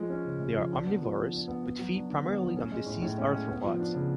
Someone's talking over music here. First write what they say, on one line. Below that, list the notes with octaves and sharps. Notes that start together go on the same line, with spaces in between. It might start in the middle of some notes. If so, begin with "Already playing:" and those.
They are omnivorous, but feed primarily on deceased arthropods.
Already playing: F3 G#3
C#4
C#3
G#3
F3
D4
B3
F3
F3
D4
B3
B3
F#3
D4
D3
B3
F#3
C#4
G#3
A2
A2
C#4
G#3
B3
F3
D4
C#3